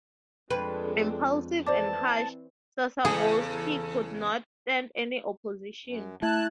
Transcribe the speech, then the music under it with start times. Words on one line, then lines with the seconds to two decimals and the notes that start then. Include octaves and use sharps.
Impulsive and harsh, Sosabowski could not stand any opposition.
0.50 F2 G#3 D4 A4 B4
1.67 E3 C4 C5 D5 A5 D6
3.05 E2 C#3 G#4 A4
5.86 F#2
6.22 A3 E4 E5 A5 F#6 G#6